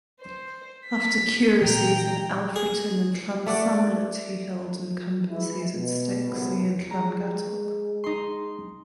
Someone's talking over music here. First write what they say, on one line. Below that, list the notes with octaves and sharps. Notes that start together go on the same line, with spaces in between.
After curacies in Alfreton and Llansamlet he held incumbencies at Stokesay and Llangattock.
C5
B6
A#2 E3 G5 A#5
G#4
A3 D5 F#5
E3 G#3 E4
B2
G#1 C#2 F#2 C3 B3 B4
G#3 A#5
D#4 C6